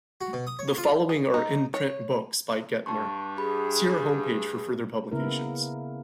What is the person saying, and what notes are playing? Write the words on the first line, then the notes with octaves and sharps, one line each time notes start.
The following are in-print books by Gentner; see her home page for further publications.
F#4
B2
D#6
C#5
F4
G#4
D#4
C#5
G2 A5 C#6
G4 G#4 B5
C#3 A#3 B3 E4 A#4